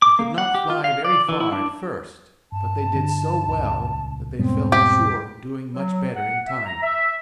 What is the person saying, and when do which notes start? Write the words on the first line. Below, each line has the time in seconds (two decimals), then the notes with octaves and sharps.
They could not fly very far at first, but they did so well that they felt sure of doing much better in time.
0.02 D6
0.19 A#3
0.38 F#5
0.55 G4
0.70 F4
0.84 F5
1.05 D5
1.29 E3
1.40 E4
1.52 D4
2.52 G2 A5
2.95 D3 C#4 D4
3.47 D#1 C#2
4.39 E2 G#2 B2 G3 G#3 B3 C4
4.72 G4
5.74 F#3
6.16 F#5
6.46 E5
6.66 A#5
6.82 E5